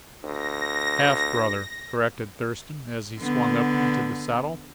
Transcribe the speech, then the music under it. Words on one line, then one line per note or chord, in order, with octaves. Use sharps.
"Half brother," corrected Thurston, as he swung up into the saddle.
D2 A#6
D3 B3